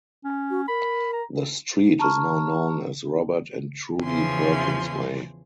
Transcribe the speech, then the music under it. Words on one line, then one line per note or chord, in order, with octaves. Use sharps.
The street is now known as Robert and Trudie Perkins Way.
C#4
F#4
A#4 B5
A#5
A5 A#5 C#6 F6
E2 C#3 E3 F3 G#5 C6